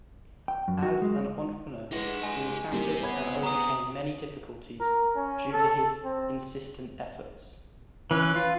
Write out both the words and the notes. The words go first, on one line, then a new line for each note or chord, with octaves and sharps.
As an entrepreneur, he encountered and overcame many difficulties, due to his insistent efforts.
G5
F#2
F#4
G#3
G#3 E4 G4 B4 F#5
G#3 G#5
G3 A#3 C4 E4 G4
B3 C#5 B5 G#6
C3 A#5 C#6 D#6
A#4
C#4
A4
C4
E3 C#4 B4
F4